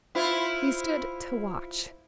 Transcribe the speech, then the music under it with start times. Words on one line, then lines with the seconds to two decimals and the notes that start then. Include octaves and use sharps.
He stood to watch.
0.15 E4 F4 C5